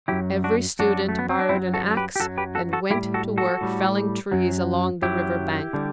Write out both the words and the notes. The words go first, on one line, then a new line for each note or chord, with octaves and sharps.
Every student borrowed an ax and went to work felling trees along the river bank.
F#2 F#3 E4 G4
D4 F#4
F#2 F#3 D4 F#4
A3
B3
C4
D4
F#2 F#3 C4 E4
F#4 A4
A4
G4 B4
G4
F#2 F#3 F#4 A4
G4 B4
F#4 A4
F#4 A4
A2 G3 E4 G4
F#4 A4
F#4 A4
A2 G3
F#2 F#3
F#2 F#3 E4 G4
D3 G3